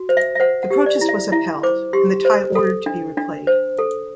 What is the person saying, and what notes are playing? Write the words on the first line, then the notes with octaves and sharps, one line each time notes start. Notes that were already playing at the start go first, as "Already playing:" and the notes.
The protest was upheld and the tie ordered to be replayed.
Already playing: F#4
C5
E5
E5
C5 F#5
F#5
G4
D5
E4
E5
E4 E5
C5 D6
G4 C6
C5
A4
D4
D4
C5
A4